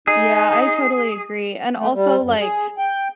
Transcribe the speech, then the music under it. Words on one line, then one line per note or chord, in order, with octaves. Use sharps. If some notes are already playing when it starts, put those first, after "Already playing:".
Yeah, I totally agree, and also like,
D#4 G#4
A3
G3
F#2
G#4
G5